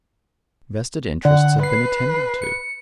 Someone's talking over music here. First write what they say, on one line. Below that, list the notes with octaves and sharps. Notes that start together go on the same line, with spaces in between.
Vested interests have been attended to.
D3 F#5
B4 C7
C#7